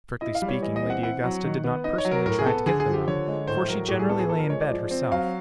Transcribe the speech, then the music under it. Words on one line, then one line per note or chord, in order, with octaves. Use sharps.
Strictly speaking, Lady Augusta did not personally try to get them up, for she generally lay in bed herself.
E4 D#5
F5
G3
C#5
E3 D#5
D#5
C4
F#5
E4 F#5
F#3
D#3
B3
D#4 D#5
C#5
F#3
A#4
A2 A#4
G#4
B3 A4
D3 G#4
G#4
F3
G4
D3 C#5
G#3
A2 C5
F#3 A#4
A2 G4
G#4
B3 A4
G#4
F3 A4
A#4
G#3 C#5
D5
F3
C4
F#3 F5